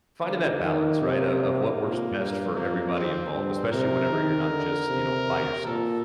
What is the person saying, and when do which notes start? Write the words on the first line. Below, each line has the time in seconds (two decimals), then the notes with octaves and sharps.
finding that balance, right, o of what works best for everybody involved, especially whenever you're not just, you know, by yourself.
0.23 D3 A#3
0.62 D#3 A#3
1.02 C3
1.78 A#2
2.18 G2
2.56 F2 A#3
2.95 C4
3.33 G2 C4
3.72 C3 A#4
4.11 D#3
4.50 D3
4.88 C3
5.66 A#2 A4